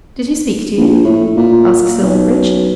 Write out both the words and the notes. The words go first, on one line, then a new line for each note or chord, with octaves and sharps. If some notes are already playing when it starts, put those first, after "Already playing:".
"Did he speak to you?" asked Silverbridge.
A#1
A2
A#2
B1